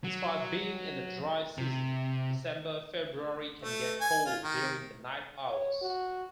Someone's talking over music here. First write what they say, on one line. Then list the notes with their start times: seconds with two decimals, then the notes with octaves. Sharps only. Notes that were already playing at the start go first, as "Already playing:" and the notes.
Despite being in the dry season, December-February can get cold during the night hours.
0.04 F#3
1.58 C3
3.62 A3
4.01 G#5
4.26 F4
4.43 D#3
5.50 C#5
5.82 F#4